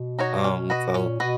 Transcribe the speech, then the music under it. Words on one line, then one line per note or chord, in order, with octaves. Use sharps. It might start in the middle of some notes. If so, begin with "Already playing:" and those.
Um, so
Already playing: B2
D#4 F#4 C#5
C#4
F#4 B4 D#5
A#2 C#4
B2 F#4 B4 D#5